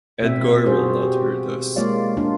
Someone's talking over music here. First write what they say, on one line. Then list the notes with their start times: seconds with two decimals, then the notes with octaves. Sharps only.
Edgar will not hurt us.
0.22 B2 C4 E5
0.65 F4 F#4 G#4 C5
1.02 G4
1.76 G#3 A#3 F4 C#5 D5 F5
2.17 A#3 D4 F4 A#4